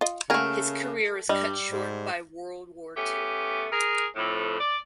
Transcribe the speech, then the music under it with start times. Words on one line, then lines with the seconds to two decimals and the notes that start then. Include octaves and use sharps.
His career was cut short by World War Two.
0.01 F4 D#5
0.30 C#3 A3 A#3 F#4 G#4 A#4
1.29 G2 G3 D#5
1.71 G#2
2.96 A3 B3 C#4 G4
3.72 G#4 A#4
4.16 F2 A2
4.59 D5